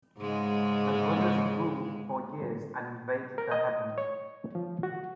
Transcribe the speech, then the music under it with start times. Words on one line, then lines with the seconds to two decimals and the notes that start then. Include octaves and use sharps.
The brothers ruled for years and invaded the heavens.
0.18 G#2 C#3 G#3
3.38 A#4
3.51 D#5
3.98 C#5
4.55 F3
4.83 F#4